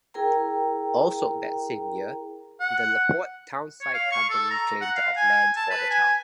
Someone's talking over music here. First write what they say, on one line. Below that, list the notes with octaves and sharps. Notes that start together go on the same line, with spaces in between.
Also that same year, the Laporte Townsite Company claimed of land for the town.
E4 G#4 A#4 G5 A#5
F#5
C#5
F5
C#6
A4
A#5
F#5
F5
G#5
A5
B4
G#5